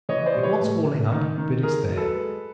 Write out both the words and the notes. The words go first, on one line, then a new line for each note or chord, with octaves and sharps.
It wants hauling up, but it's there.
E3 C#5 D#5
C5 D5
G3
B4 C#5
A2
A2
D#3
D#3
D#3 G#4 A#4
F#3
A4 B4
G#3